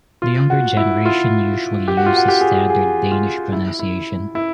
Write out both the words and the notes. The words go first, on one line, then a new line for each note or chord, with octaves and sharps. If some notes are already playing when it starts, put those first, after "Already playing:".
The younger generation usually uses standard Danish pronunciation.
F4
F#4
E4
F4
G4
F#4
F4
F#4
G4
G#4
G4
G#4
F4
E4
E4
E4